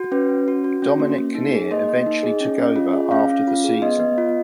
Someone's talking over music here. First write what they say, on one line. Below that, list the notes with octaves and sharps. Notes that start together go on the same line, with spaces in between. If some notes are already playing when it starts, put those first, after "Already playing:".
Dominic Kinnear eventually took over after the season.
Already playing: F#4
C#4 B4
C#4
F#4
F#4
C#4
A#3
A#3
D#4
G#4
A#3 D#5
A#3
D#4
G#4
C#4
C#4
F4
G#4
C#4 F5
C#4
F4
G#4
B3 D#5
B3
F4